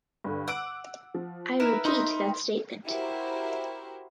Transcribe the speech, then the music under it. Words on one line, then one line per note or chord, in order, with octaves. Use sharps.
I repeat that statement.
G2 D3
F#5 D6 E6 D7
F3
D#4 E4 A#4 B4 D7 E7
D#4 B5 C6 D#6
E4 F#4 G4 A#4 C5